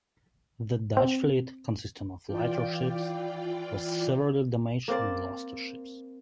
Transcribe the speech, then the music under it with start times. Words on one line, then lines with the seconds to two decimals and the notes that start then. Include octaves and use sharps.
The Dutch fleet, consisting of lighter ships, was severely damaged and lost two ships.
0.97 C4
2.27 E3 F4 D5 G5
4.88 A#3 C4 C5 D5